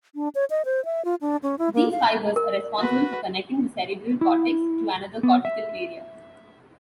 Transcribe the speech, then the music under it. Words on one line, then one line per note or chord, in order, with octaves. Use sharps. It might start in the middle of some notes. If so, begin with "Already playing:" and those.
These fibers are responsible for connecting the cerebral cortex to another cortical area.
D4
C#5
D#5
C5
E5
F4
D4
C#4
E4
A#3
F5
A#4
F#4 B4
E4
B3
E5